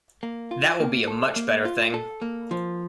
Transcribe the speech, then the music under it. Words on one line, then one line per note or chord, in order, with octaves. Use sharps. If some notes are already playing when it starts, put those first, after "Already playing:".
That will be a much better thing.
A#3
F4
A#3
A4
A#3
F4
A4
A#3
F3